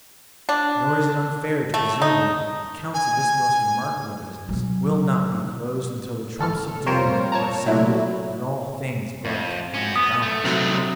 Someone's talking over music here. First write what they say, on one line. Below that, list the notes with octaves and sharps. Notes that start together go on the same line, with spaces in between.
Nor is it unfair to presume that the accounts of this most remarkable business will not be closed until the Trumps of Doom are sounded and all things brought to final balance.
D4
A3
D#4
G#5
B2 F#3
G#1 A4 F6
F2 G3 F4 A#4 C5 C#5
C#5 A5 A#5
A#2 F#3 A3 E4 F#4
F2
C#4 F#4
B3 D#6
A3
C3 F#3